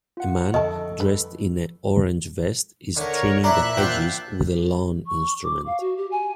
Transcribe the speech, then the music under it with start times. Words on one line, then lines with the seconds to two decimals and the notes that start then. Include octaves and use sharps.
A man, dressed in a orange vest is trimming the hedges with a lawn instrument.
0.17 F4 F#5
0.54 F2 D3 D#3 E4 A4 D#5 A5 C#6
1.00 B4
2.97 D3 A3 A#4 C#5
3.44 A#2 E4 C5 D5 E5 A5 A#5 F#6
3.77 D4 F4 C5 F#5 G5
5.07 C#6
5.43 D6
5.66 F5
5.80 F#4
5.97 G4
6.11 G#5